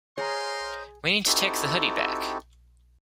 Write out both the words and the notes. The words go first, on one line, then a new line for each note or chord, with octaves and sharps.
We need to take the hoodie back!
G#4 A#4 C5 C#5 D#5 F5 A#5 C6
C4 D#4 E4 F#4 G4 A4